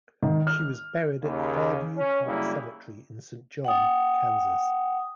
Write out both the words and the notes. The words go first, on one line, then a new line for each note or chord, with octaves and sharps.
She was buried at Fairview Park Cemetery in Saint John, Kansas.
D#3
F6
D#2 C#3
C#4
F#2 C#3 G3 A#3 D4 E4
F#5 G5 D#6